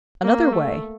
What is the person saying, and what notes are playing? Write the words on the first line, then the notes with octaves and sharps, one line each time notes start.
Another Way.
A#3
A3